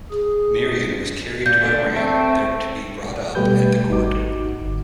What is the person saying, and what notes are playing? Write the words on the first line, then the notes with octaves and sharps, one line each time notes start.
Mirian was carried to Iran, there to be brought up at the court.
G#4
A#2 G6
D3 A3 D4
A3 C4
B2 G3 A3 G4 B4 G6
G#1 D#4 F#4 D6
G1